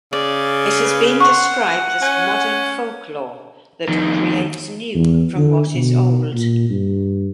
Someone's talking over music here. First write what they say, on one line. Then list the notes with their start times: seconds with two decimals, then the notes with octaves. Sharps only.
It has been described as "modern folklore" that "creates new from what is old".
0.13 C#3 D5
0.85 B4
1.20 F#5 C6 C#6
2.02 C#4 G#5
3.88 F2 D#3
4.95 E2
5.37 D3
5.75 B2
6.33 A#2
6.70 G2